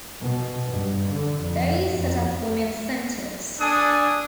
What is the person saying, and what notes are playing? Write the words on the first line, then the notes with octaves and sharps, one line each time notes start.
They set up women's centres.
B2
G2
D3
F2
F2
D4 A4 G#5 D#6